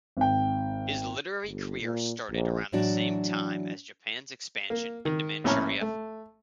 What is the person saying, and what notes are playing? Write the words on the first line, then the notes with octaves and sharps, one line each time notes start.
His literary career started around the same time as Japan's expansion into Manchuria.
G#1 G5
G1
A#2
A#1
A2 E3 F#3 D4 F#4
A#3
D#3
A#1 A2 C#4 A#5 B5 F6
A3